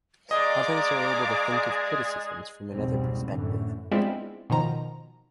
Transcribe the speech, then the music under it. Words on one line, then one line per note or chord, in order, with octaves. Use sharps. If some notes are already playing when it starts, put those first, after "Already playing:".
Others are able to think of criticisms from another perspective.
G#3 D#4 G#4 D5 D#5 F5 A#5 D6
F1 C#2 G#2 B2 G3 C4
F#2 A2 D3 E3
G#3 B3 C4 D4 E4 F4
B2 D#3 F3 A#5